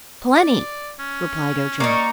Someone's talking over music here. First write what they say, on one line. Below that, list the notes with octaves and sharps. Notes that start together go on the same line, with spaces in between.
"Plenty," replied Ojo.
D5
C#4
A#3 D#4 D5 C#6